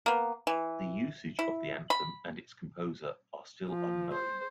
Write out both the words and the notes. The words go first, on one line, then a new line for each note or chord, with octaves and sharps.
The usage of the anthem and its composer are still unknown.
A#3 B3
E3
E4
B5
F3
C5